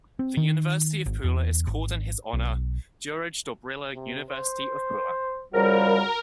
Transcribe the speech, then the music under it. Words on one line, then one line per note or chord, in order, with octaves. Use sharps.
The University of Pula is called in his honour Juraj Dobrila University of Pula.
C4
D#3
G#1
E2
G#1
B1
C3
C5
F2 C#3 G3 F#4 A#4